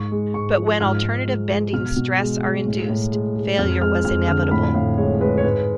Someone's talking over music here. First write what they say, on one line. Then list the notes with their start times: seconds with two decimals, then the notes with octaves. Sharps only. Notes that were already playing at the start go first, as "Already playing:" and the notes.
But when alternative bending stress are induced, failure was inevitable.
Already playing: G#2 C#6
0.12 G#3
0.34 G#2 C#6
0.58 F3
0.80 G#2 F6
1.03 G#2
1.27 G#3
1.50 G#3
1.73 B2 F6
1.96 B2
2.20 G#3
2.43 G#3
2.66 A2
2.89 A2
3.12 G#3
3.36 G#3
3.59 F2 F6
3.81 G#3 F6
4.05 F2 F6
4.28 D3 F6
4.51 A2 B5
4.74 A2 F5
4.98 G#3 C#5
5.21 G#3 B4
5.38 C#5
5.44 G#2 B4